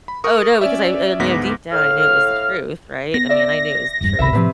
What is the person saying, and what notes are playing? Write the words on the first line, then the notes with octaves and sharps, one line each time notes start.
Oh, no, because I I knew deep down, I knew it was the truth, right? I mean, I knew it was the truth.
B5
A#4 C#6 D#6
C#4 D5 E5
D2 G#2 B3 D6 A#6 B6
A2 F5 F6
B3 A#6
D5 E5
E1 G2
G#1 C#2 C3 E5 B5
A2 C3 F3 B4